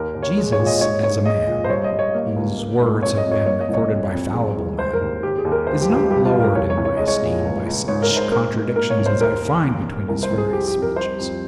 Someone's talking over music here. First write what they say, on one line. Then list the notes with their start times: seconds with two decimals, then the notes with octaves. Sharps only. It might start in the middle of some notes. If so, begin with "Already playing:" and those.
Jesus as a man, whose words have been recorded by fallible men, is not lowered in my esteem by such contradictions as I find between his various speeches.
Already playing: D#2 A#4
0.15 D#2
0.23 C#5
0.37 G#3
0.52 C#5
0.59 A#2
0.66 D#5
0.81 G#2 C#5
1.03 G#2 C#5
1.26 G#3 D#5
1.47 A#2
1.64 C5
1.70 G2 C#5
1.84 D#5
1.92 G2
1.99 C#5
2.14 A#3
2.36 C#2
2.58 A#3
2.80 G#2
3.02 F2 C#5
3.17 D#5
3.24 F2
3.32 C#5
3.46 A#3 C#5
3.60 D#5
3.68 C2
3.74 C#5
3.91 F2
4.12 F2
4.34 G#3
4.57 C2
4.79 G#3 C5
4.93 A#4
5.01 D#2
5.23 D#2 G4
5.38 G#4
5.45 D#2
5.52 A#4
5.67 C#2 C5
5.82 G4
5.89 C#2
5.96 G4
6.11 G2 G4
6.25 F4
6.33 G2
6.40 A#4
6.55 C2 C#5
6.70 C#5
6.77 C2
6.85 C#5
6.97 G#3 D#5
7.08 C#5
7.22 A#2
7.43 C#2
7.66 C#2
7.88 G#2 C#5
8.02 A#4
8.10 G#2
8.17 C5
8.32 G#2 A#4
8.54 G#2
8.76 A#3 A#4
8.90 C#5
8.98 C2
9.06 C5
9.21 D#2 A#4
9.42 D#2
9.64 A#3
9.86 D#2
10.08 C2 A#4
10.23 C5
10.30 C2
10.38 G#4
10.53 F2 G4
10.68 G4
10.75 F2
10.82 A#4
10.96 G3 C5
11.19 F2